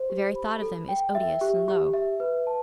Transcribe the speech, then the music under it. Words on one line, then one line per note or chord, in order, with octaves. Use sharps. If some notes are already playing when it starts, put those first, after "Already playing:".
The very thought of them is odious and low.
Already playing: C5
G4
B5
A4
G5
E5
G4
G4
E5
B4
A5